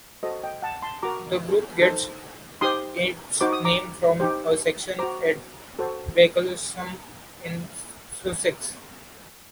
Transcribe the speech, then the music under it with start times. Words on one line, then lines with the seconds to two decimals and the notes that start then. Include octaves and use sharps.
The Group gets its name from a section at Bracklesham in Sussex.
0.23 F#4 A4 C5 D#5
0.44 D#5 G5
0.62 F#5 A5
0.82 A5 C6
1.03 F#4 A#4 A#5 D6
1.81 D#4 A4 C5
2.61 D#4 G4 C5 C6 D#6
3.41 D#4 F#4 C5 D6
3.53 D#6
3.65 A#5 D6
4.20 D#4 G4 C5
4.99 F#4 C5 A#5 D6
5.79 F#4 A4 C5